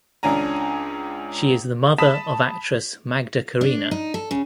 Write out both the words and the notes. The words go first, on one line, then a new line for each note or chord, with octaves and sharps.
She is the mother of actress Magda Karina.
C#2 C#4 D4 G#5 A#5
A5 B5 D#6 B6 E7
D4
D#4
A4
C#3